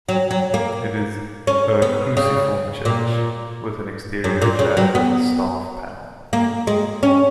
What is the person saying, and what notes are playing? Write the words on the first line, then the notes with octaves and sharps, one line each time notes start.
It is a cruciform church, with an exterior clad with staff panel.
F#3
F#3
A#3
C#4
B3
C#3
A#2
F#2
A#2
C#3
F#3
B3
A#3
G#3
C#4